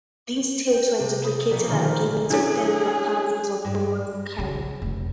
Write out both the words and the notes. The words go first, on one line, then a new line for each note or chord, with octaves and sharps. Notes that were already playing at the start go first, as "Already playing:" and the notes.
These tapes were duplicated and given to tens of thousands of followers in Cairo.
G5
C3
B5 D#6
A#1 B2 D5 B6 C#7
D3 D#3 A#3 C4 D4 F4
F6
F#3 C#4 D4 E4 G#4 A4
G2
C#3
F1